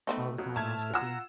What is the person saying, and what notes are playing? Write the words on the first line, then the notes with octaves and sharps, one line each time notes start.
Oh, the colonoscopy.
A3 B3 C4 D#4
F2 F#3
A2 A3 E5 A5 F6 G#6
F4 F#5 A#5 E6